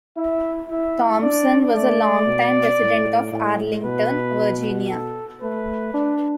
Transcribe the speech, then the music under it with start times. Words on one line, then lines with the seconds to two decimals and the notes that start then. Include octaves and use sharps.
Thompson was a long-time resident of Arlington, Virginia.
0.17 E4 E5
0.70 E4 E5
1.22 D4 D5
1.74 A3 D5
2.26 B2
2.80 A2
3.32 A2
3.84 B2 B4
4.90 A4
5.42 A3 B4
5.94 D4